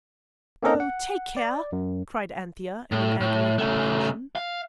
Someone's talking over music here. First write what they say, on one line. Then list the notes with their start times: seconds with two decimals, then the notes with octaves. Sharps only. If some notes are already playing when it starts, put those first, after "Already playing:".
'OH, take care!' cried Anthea in an agony of apprehension.
0.63 A#3 C4 C#4 A4 A#4 D#5
0.80 F#5
1.37 D5
1.72 F#2
2.92 A2
3.21 A2
3.59 C#3 A3
4.35 F5